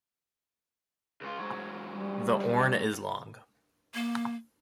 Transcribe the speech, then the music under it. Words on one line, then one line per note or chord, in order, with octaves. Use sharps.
The Orne is long.
C#2 F4
G#2 F#3
G3
A#3